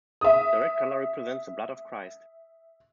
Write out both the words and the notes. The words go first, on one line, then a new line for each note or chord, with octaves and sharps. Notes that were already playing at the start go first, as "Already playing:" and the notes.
The red colour represents the blood of Christ.
E5 D#6